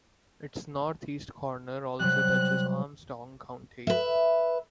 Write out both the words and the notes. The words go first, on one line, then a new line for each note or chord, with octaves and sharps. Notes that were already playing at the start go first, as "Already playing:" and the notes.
Its northeast corner also touches Armstrong County.
C3 F#3 G3 F#6
B4 E5